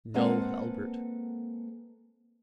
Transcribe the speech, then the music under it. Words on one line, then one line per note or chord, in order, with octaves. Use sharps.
No, Halbert!
G#3 A#3 C4 A4 B4 F#5